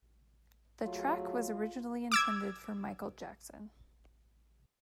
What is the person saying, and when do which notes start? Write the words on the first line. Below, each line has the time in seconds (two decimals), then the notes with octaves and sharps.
The track was originally intended for Michael Jackson.
0.85 F#3 A3 F4 G#4
2.12 D6 E6 G#6